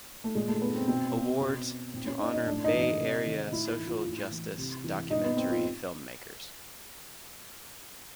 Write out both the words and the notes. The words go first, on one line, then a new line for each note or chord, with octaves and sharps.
Awards to honor Bay Area social justice documentary filmmakers.
A3
A#2 G#3
A3
B3
C4
B2 C4
B2
A#2 C4
C#4
D#4
D#4
A2 D4
D#4
E3
D#4
C3
D#3
A2 E4
E4
E3
F4
F4
A2 E4
E3
C3
E3
A#2 D#4
B3
C4
F4